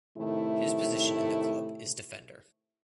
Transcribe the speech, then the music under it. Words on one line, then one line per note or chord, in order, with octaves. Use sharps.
His position in the club is defender.
A2 C3 D#3 A3 E4